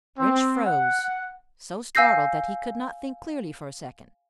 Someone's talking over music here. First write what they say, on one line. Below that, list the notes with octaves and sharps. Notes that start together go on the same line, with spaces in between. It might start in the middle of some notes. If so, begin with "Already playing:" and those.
Rynch froze, so startled that he could not think clearly for a second.
C4
F#5
F5 G#5 E6 G6 A#6 C7